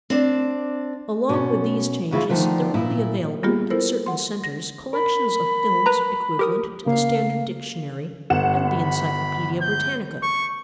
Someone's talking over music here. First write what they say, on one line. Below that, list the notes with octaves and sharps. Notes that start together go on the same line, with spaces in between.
Along with these changes, there will be available at certain centres collections of films equivalent to the Standard Dictionary and the Encyclopaedia Britannica.
C4 D4 D5
B2 C#4
D2 C#3 E4 F4
D3 D#3 F3 A3
A#2 E4
G3 A#3 B3 F4 G4 G#4
B3 E4 A4 A#4 C5
F#5 C6
A#6
A#4 B5
B4 A#5
G4 A#4 D#6
C#3 A#3 F5
G1 F#5 E7
B5
G6
C#6